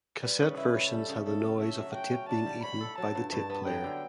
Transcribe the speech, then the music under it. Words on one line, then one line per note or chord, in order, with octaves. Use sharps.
Cassette versions had the noise of a tape being "eaten" by the tape player.
G3 B4
C#3
E4
C#4
G3 A4
C#3
C#3 A4
C#4
A3 E5
F#3
F#4 G5
C#4
D4 A5
G3
C#5 B5
A4
F#3 A5
G2
G2 A5
B3
F#3 G5
D3